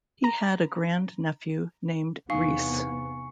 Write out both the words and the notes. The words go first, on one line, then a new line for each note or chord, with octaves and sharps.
He had a grand nephew named reece.
A#5
E2 C3 B3 D#4 F5 G#5 C#6 C#7